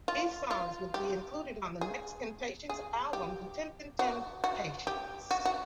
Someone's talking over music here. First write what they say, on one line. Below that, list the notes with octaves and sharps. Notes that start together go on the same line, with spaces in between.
These songs would be included on the next Temptations album, "The Temptin' Temptations".
F4
F4
G4
G#4
G#4
G4
F#4
F#4
G4
F#4
F#4